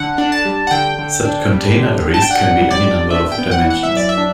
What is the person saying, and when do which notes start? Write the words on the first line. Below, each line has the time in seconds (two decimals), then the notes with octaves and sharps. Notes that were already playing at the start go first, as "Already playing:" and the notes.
Such "container" arrays can be any number of dimensions.
Already playing: D3 F#5
0.18 D4
0.32 A5
0.45 G3
0.67 F#5
0.71 D3 G5
0.99 D3
1.25 D4
1.52 G3
1.77 D3
2.05 D3
2.14 A5
2.22 G5
2.31 D4 F#5
2.58 G3
2.71 D5
2.85 D3
3.10 D4 E5
3.32 G5
3.38 B3
3.51 F#5
3.65 E3
3.70 F#5
3.83 E5
3.90 F#2
3.97 D5
4.09 E5
4.18 D4